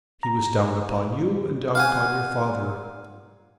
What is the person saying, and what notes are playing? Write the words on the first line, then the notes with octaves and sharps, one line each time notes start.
He was down upon you and down upon your father.
A#5
F5 F#5 G#5